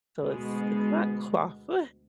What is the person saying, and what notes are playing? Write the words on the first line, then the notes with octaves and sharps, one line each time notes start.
So it's it's not clawfoot
D2 B2 G#3